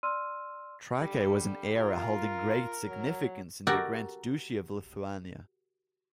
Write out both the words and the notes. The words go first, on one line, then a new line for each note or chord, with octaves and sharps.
Trakai was an area holding great significance in the Grand Duchy of Lithuania.
D5 C6 E6 F6 D#7
D3 G3
F4 A#4
F#3
F#4 G4 A4 A#4